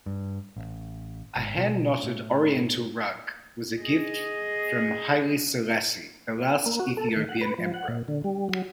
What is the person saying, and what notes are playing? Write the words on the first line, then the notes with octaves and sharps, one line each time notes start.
A hand-knotted oriental rug was a gift from Haile Selassie, the last Ethiopian emperor.
G2
A1
G#1
B2
A2
G#4 D#5
A#3
F#4
A4
D#3
F#5
B4
F3
F#5
A#2
D3
G3
F#3